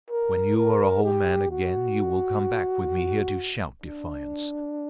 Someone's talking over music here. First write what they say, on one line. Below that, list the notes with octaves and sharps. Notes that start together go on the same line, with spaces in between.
When you are a whole man again, you will come back with me here to shout defiance.
A#4
A#4
G4
F#4
D4